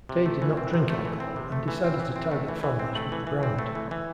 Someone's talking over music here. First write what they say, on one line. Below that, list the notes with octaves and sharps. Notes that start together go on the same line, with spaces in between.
Day did not drink alcohol, and decided to target families with the brand.
C3
A3
E3
C4
C3
A3
E3
C4
C3
A3
E3
C4
E3
C4
A3
E3
E3
C4
A3
E3
E3
C4
A3
E3
E3